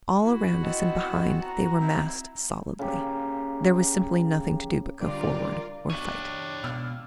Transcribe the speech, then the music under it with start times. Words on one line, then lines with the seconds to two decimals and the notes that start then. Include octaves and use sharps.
All around us and behind they were massed solidly--there was simply nothing to do but go forward--or fight.
0.21 E4 F#4
0.63 B3 C4 D#5 A5
1.41 A#5
1.80 C4 D#4 E4 E5
2.79 C#3 A#3 G4
5.01 D3 G3 D4 F4 A#4 D5
5.90 B1 D4 G4 C#5 D#7
6.64 C#2 B2 E6 F6